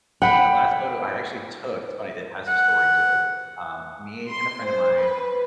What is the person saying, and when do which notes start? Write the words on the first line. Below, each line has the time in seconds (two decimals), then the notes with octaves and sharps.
the last photo I actually took, it's funny, it has a story to it, um, me and a friend of mine
0.22 F#5 G5 B5
2.48 F#5
4.30 C6
4.66 C5
4.98 B4